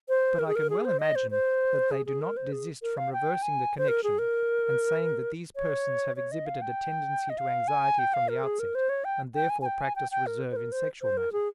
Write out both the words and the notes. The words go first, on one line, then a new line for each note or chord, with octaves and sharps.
But I can well imagine that they do not desist from reversing the connection and saying that these persons have exhibited a tendency to anxiety from the outset and therefore practice reserve in sexual matters.
C5
A#4
G#4
A#4
G#4
C5
D#5
C5
C5
G#4
G#4
A#4
C5
G#4
A#4
F5
G5
G#5
C5
A#4
G#4
A#4
C#5
C#5
D#5
F5
G5
D#5
F5
G#5
G5
F5
A#4
G#4
A#4
C5
C#5
G5
G5
G#5
G#5
G5
G#5
G5
G5
A#4
C5
A#4
C5
C5
A#4
G#4